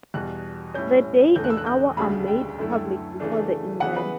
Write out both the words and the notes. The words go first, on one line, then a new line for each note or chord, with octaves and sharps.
The day and hour are made public before the event.
E2 B2 G3 F#6
A2 G3 C#4 G6
E2 D3 A3 G6
F#6
E6
F#6
G6
D2 C#3 G3 D4 F#4 B5
G5
F#2 D3 A3 E4 A4
C#3 E3 A3 D4
C#3 E3 B3 F#5
B4